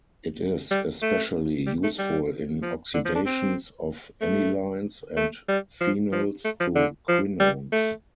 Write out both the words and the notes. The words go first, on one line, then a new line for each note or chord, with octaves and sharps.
It is especially useful in oxidations of anilines and phenols to quinones.
G3
A3
G3
A3
G3
F3
D3
F3
D4
C4
A3
A3
G3
F3
F3
A3
F3
D3
F3
G3
A3